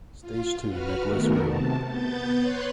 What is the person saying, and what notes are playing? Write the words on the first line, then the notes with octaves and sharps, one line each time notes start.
Stage two Nicolas Roux.
F4
F#4 B4 F6
D#3 A3 B3 F#4 A#4
C3 A5
B3 G6 A6
B4 C#5 C6 F#6